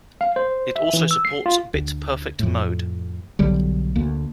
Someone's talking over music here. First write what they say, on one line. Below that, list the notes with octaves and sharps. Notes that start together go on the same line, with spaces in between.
It also supports bit-perfect mode.
F5
C5
E5
E3
E6
C7
F4
D2
F2 A2
B1 D3 F#3 G3
D2 A#3